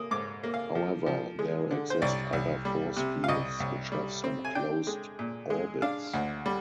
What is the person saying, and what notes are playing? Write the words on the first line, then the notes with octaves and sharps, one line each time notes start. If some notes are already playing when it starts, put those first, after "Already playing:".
However, there exist other force fields, which have some closed orbits.
Already playing: A#3 D#6
G#2 D6
A#3
F5
F3
F3
G#3
D3
C5
C2 D5
C2
G3
C3
F5
C2 D#5
C2
G3
C4
G#5
D4 G5
G#3
A#2
G#3
D4 F5
D2
G3